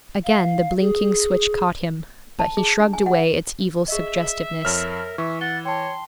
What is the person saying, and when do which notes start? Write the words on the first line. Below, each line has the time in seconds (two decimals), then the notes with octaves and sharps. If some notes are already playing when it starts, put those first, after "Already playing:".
Again the blinking switch caught him, but he shrugged away its evil suggestiveness.
0.24 F5
0.80 G#4
2.39 A5
2.57 G#4
2.80 D4
2.93 G#5
3.06 F#5
3.88 G#4 D#5 E5
4.65 F2 A#4 C#5 F6
5.18 E3 E5 C#6
5.41 F#5 A6 G7
5.65 C#5 G5 A5 C6